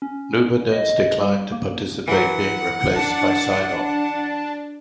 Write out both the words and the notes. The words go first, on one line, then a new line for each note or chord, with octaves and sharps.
Luverdense declined to participate being replaced by Sinop.
C#4
D#5
G3
A#3
E3 F#3 F#5
D4 A5